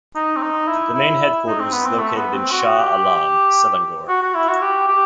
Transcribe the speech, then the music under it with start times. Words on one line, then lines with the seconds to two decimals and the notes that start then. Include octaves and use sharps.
The main headquarters is located in Shah Alam, Selangor.
0.15 D#4
0.36 C4
0.42 D#4
0.68 E4
0.94 E4
1.47 D#4
1.60 C4
1.73 B3
1.86 C4
1.99 A3
2.16 B3
2.34 C4
2.51 F#4
2.78 G4
4.08 F#4
4.22 F#4
4.34 E4
4.49 F#4
4.62 G4
4.88 G4